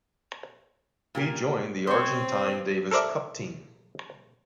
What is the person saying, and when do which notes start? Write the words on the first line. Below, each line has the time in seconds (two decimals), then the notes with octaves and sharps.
He joined the Argentine Davis Cup team.
1.15 A#2 G4 A#4
1.87 C4 C5 C#5
2.91 A4 A#4 C5 D5 E5